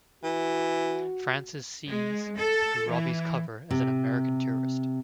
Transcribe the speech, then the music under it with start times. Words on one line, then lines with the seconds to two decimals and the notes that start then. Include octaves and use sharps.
Frances sees through Robie's cover as an American tourist.
0.23 E3 F#4
1.88 G#3
2.37 A4
2.90 E3
3.71 C3